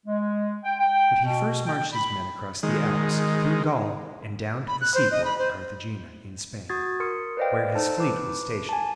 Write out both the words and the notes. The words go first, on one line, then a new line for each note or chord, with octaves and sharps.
But he first marched his men across the Alps, through Gaul, and down to the seaport of Carthagena in Spain, where his fleet was stationed.
G#3
G5
G5
B2
G5
B5
D#3 G#3
B5
F#6
C5
D#5
B5
C5
F#4 D#6 G#6 A6
A#4 C6 D#6 C#7
B4 C5 D5 D#5 F5 G5
D#4 A4 C5 A5
B4 D6
G#5 A5